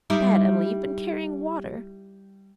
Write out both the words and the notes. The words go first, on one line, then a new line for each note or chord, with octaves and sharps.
Bad Emily, you've been carrying water.
G3 D#4 E4